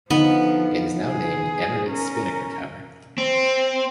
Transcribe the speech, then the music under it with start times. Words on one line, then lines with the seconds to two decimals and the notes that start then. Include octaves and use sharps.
It is now named "Emirates Spinnaker Tower".
0.10 D3 F3 B3 D#4
1.07 G#4
1.86 C#4 A#4
3.18 C4